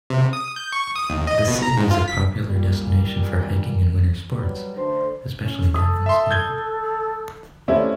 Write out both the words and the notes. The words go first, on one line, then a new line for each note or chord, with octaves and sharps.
The city is a popular destination for hiking and winter sports, especially downhill skiing.
C3
D#6
G6
C#6
D#6
D#2
D#5
B2
A#5
G#2
F4
B6
C2 A#2 G3
D#3
F#3 G3 B4
D3 A3 D4 C5
C#4
A4 D#6
E5 C6
G6 G#6 G7
A3 C4 C#4 E4 F4 G4 D5